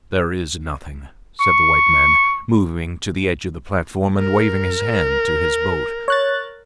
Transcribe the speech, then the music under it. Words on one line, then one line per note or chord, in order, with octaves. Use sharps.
"There is nothing," said the white man, moving to the edge of the platform and waving his hand to his boat.
C#6
A#4
C#5 F#6 A6